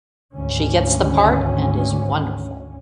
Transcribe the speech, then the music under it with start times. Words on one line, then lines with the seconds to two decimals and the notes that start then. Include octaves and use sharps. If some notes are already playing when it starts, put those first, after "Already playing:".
She gets the part and is wonderful.
0.32 G#1 D2 D3 C#4